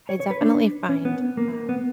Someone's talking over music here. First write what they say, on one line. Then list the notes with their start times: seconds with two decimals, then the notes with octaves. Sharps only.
I definitely find, um
0.09 C#5
0.20 C#5
0.30 B4
0.41 D4
0.89 C#4
1.05 B3
1.37 A#3
1.69 B3